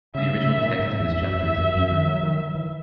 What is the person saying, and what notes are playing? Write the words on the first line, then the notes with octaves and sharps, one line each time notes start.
The original text of this chapter is in Hebrew.
C#3 E5
C#3
A#2
G#2 E5
E2
F#2
E2
F#2
F#2
D#3
F#3
D#3
D#3
E3